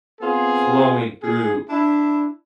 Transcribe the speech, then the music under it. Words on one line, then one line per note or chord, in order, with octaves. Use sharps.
flowing through
B3 C4 F4 G#4
G#4
D4 E4